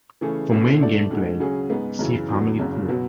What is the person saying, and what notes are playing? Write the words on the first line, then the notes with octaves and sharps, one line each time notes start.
For main game play, see Family Feud.
C#3 E3 A3 C#4 G#4
B2 A3 C#4 E4
D3 A3 D4 A4 D5
D2 D3 G#3
C#3 F#3 C#4 G#4
G#2 G#3 B3
F#2 C#3 E3
E2 D3 F#3
F#1 F#2 C#3
B2 F#3 B3 F#4